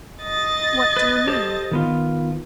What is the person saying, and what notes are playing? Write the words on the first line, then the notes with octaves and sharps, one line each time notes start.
"What do you mean?"
D#5 A6
B4
G4 A4 C5
D#3 B3 F4